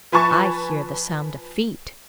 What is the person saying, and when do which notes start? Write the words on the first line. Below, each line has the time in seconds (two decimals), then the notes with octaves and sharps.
"I hear the sounds of feet!"
0.12 F3 B4 G#5 A5 C#6 A6